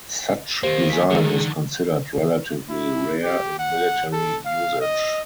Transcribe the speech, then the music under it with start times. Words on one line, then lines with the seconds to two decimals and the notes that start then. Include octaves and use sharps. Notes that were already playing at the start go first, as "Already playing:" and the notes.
Such design is considered relatively rare in military usage.
0.63 D#3 A#3 G4 C5
0.90 G#5 B6
1.11 D3 D#3 G#3 G#4
2.70 E4
3.24 G4
3.59 F#5
4.12 A4
4.46 F5
4.81 D#5